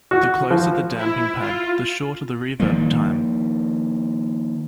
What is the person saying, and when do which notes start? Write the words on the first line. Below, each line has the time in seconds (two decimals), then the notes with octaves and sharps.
The closer the damping pad, the shorter the reverb time.
0.11 F#4
0.51 F3
0.97 E4
1.41 F4
2.60 D#3 F3 G3 A#3